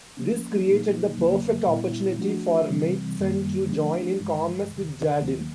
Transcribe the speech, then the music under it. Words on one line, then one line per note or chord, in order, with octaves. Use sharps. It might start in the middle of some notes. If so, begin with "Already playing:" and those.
This created the perfect opportunity for Matheson to join in commerce with Jardine.
F3 A#3 C#4
A#2 F#3 A#3 D#4
E2 C#3 F#3 A#3
A#2 G3 B3 E4
F3 A3 D4 F#4
C3 E3 G3 C4
F#2 D#3 G3 A#3
F3 A3 D4
G2 E3 G#3
E2 C3 D#3
D#2 D#3 F#3 A#3